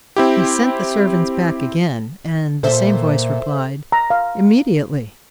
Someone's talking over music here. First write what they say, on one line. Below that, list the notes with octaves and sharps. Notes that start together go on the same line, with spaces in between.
He sent the servants back again, and the same voice replied, 'Immediately.'
C4 E4 G4
A#2 A4 C5 E5
A#5
F5